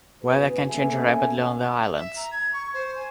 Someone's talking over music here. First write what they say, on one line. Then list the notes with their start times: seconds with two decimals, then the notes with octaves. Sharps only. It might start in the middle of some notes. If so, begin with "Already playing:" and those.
Weather can change rapidly on the islands.
0.21 F#1 B2 F#4 G#4 B4
0.69 A#3 B3 C#4 A4 E5 G#5
1.97 E5
2.16 A#5
2.31 G#6
2.53 C#6
2.73 C5
2.95 G#5